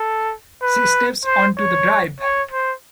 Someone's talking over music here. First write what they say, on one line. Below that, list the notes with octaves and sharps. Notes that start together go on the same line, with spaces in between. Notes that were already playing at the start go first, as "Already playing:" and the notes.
She steps on to the drive.
Already playing: A4
B4
C5
C#5
C#5
C5